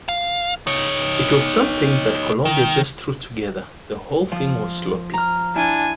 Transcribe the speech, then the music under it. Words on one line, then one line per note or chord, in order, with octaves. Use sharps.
It was something that Columbia just threw together...The whole thing was sloppy.
F5
D#4 C#5
D#3
F3
A#5 F6
D4 E4 G#5